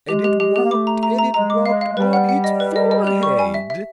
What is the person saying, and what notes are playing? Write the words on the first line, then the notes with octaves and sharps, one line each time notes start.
And it walked and it walked on its forehead.
G#3 G4
G4
G#3 G4
B3 G4
A#3
A3 D6
A#5
A#5
A#5
G#3 A#5
D6
G#3 F5
F5
G#3
G3 B4
F#5
F#5
D#5
B4
D#5
D#5
G4
C#6
G#5
E5
E5